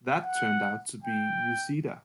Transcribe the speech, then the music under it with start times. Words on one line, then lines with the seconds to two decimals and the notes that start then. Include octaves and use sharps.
That turned out to be Uceda.
0.24 F#5
1.03 G5